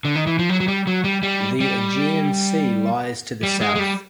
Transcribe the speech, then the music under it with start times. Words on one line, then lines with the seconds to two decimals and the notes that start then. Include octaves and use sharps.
The Aegean Sea lies to the south.
0.05 D3
0.15 D#3
0.27 E3
0.39 F3
0.49 F#3
0.60 F#3
0.68 G3
0.87 F#3
1.04 G3
1.23 G3
1.60 G3
3.43 G3
3.61 G#3
3.75 G#3
3.79 G3